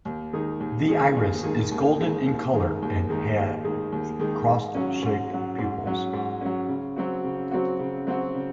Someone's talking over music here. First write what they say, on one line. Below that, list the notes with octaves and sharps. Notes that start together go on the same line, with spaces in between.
The iris is golden in colour and it has cross-shaped pupils.
D#2
D#3 G#3 D#4 G#4
D#2
D#3 G#3 D#4 G#4
D#2
D#3 G#3 D#4 G#4
D#2
D#3 G#3 D#4 G#4
D#2
D#3 G#3 D#4
D#2
D#3 G#3 D#4
D#2
D#3 G#3 D#4
D#2
D#3 G#3 D#4
G#2
F#3 C#4
G#2
F#3 C#4
G#2
F#3 C#4
G#2
F#3 C#4
C#3
F#3 C4 F#4
C#3
F#3 C4 F#4
C#3
F#3 C4 F#4
C#3